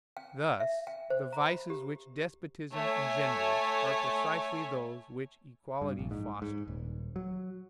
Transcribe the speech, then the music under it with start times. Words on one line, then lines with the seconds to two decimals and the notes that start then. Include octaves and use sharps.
Thus the vices which despotism engenders are precisely those which equality fosters.
0.17 G5
0.60 E5
0.87 G5
1.10 C5
1.33 A#5
1.46 B5
1.70 G4
2.74 A3 C#5 G#5
5.81 G2
5.99 A#1
6.11 G#2
6.42 G#2
6.68 D#1
7.16 F#3